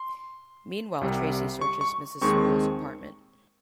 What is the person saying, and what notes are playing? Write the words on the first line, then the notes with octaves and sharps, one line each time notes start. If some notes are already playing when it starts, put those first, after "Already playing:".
Meanwhile, Tracy searches Mrs. Spool's apartment.
Already playing: C6
C2 C3 G3
C#6
C#6
D#2 D#3 G#3 C4 C#6